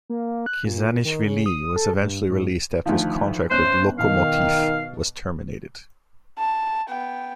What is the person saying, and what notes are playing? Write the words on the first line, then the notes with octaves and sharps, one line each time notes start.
Khizanishvili was eventually released after his contract with Lokomotiv was terminated.
A#3
A#3
F#6
A#2
D#3
C#3
D#6
A4
G2
G#2
D2 D#3 F3
G1 C#4 C5 F#6
B2 D#3 F5
A5
B3 G5